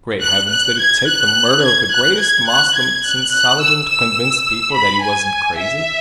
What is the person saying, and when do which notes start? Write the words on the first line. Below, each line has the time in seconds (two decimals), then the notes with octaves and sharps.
Great heavens, did it take the murder of the greatest Moslem since Saladin to convince people that he wasn't crazy?
0.22 F#6
0.51 F#6
0.79 G#6
1.07 F#6
1.64 G#6
1.93 F#6
2.20 G#6
2.49 F#6
2.77 G#6
3.05 F#6
3.33 F#6
3.61 E6
3.89 E6
4.74 B5
5.03 G#5
5.58 E5